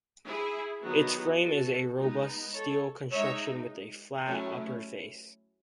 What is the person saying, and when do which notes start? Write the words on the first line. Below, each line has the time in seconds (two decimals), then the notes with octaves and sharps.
Its frame is a robust steel construction with a flat upper face.
0.26 E4 G#4
0.82 D#3 F#3 B3 D#4
1.40 F#4 A4
1.97 G#3 B3 D#4
2.53 A4 C#5
3.11 G#3 D#4 C#5 E5
4.25 F#3 A3 C#4 E4 A4 C#5